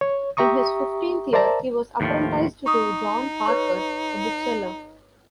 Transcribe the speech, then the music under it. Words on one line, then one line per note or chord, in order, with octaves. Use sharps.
In his fifteenth year he was apprenticed to John Parker, a bookseller.
C#5
G4 E5 A#5 C#6 D#6
A#4 C5 D5 E5 A5 A#5
D#2 A2 F3
D#4 C#6 D#6
B4 C#5 C#6